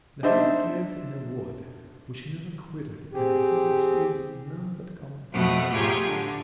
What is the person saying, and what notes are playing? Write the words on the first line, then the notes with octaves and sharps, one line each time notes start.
The hermit lived in a wood which he never quitted, and he received none but common folk.
D4 D#4 C5 E5
C4 G4 G#4
F2 B2 A3 F#5
A2 F4 G4 G#4 A#5 C#6
D3